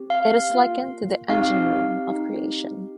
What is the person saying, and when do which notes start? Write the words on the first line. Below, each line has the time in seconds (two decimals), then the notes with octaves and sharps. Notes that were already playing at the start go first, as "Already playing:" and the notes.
It is likened to the 'engine-room' of creation.
Already playing: C4 G4
0.10 F5
0.50 A#3 F4
1.29 C4 D#4 G4 F5
2.08 C4 D#4 G4